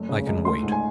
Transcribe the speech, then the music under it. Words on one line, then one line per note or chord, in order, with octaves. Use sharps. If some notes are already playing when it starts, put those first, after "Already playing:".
I can wait.
Already playing: F#1 A3
C#3
C#2
A3 C6
G#2
G#5